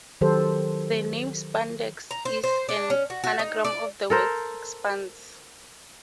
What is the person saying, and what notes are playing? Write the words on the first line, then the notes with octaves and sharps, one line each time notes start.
The name "spandex" is an anagram of the word "expands".
D#3 F#3 G4 A4 C5
A#5
C5
C5
D4
C#4
F#4
F#4
D#4
D5
A4 A#4 C5